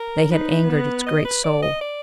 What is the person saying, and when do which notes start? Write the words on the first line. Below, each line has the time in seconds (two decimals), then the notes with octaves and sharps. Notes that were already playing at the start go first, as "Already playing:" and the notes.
They had angered its great soul.
Already playing: A#4
0.31 D#4 B4
0.68 B3
1.06 D#5
1.25 B4
1.44 D5
1.63 D#5
1.81 D5